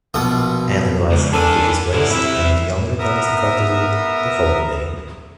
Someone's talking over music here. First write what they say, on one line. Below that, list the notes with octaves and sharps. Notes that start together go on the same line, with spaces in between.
An invites him to his place and Yuan returns the courtesy the following day.
A#1 B2 F4 D#6
C#2
B3 D4 A4 A#4 G#5
D3 F#3 E4
C2 C3 E4 E5
B3 A#4 E5 A#5 D#6